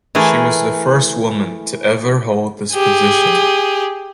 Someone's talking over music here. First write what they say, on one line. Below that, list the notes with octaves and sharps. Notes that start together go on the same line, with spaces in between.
She was the first woman to ever hold this position.
E3 A3 G#4 A#4
G4 G#4